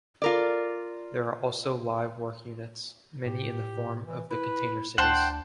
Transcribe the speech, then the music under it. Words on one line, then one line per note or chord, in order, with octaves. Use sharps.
There are also live-work units, many in the form of the Container Cities.
F4 A#4 D5
A2 G4
E3
E4 B4
D2 D4 C5 F#5 G5 A5 F#6